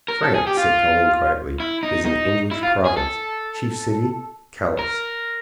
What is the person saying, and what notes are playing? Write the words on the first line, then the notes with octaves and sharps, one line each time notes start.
"France," said Toline, quietly, "is an English province; chief city, Calais."
A#4
A4
G#4
G4
F4
E4
D#4
D#4
E4
F4
G#4
A4
A#4